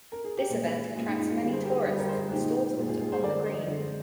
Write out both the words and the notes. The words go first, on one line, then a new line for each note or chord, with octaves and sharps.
This event attracts many tourists and stalls are put up on the green.
A#4
G#4
G4
A#2 G#3 F4
A#2 G#3 F4
D#4
F4
F4
D3 G3 F4 G#4
G#4 C5
G4 A#4
F4
D3 G3
G4 A#4
G#4 C5
F4 G#4
A#2 G#3 D#4 G4
A#2 G#3 F4
F4 G#4
F4 G#4
G#4 C5
D3 A#4 D5
G#3
C5 D#5
D3 G#3